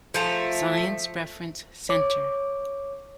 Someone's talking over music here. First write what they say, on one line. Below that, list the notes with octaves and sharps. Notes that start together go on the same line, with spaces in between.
Science Reference Center.
F3 A3 A#5
C#5 D6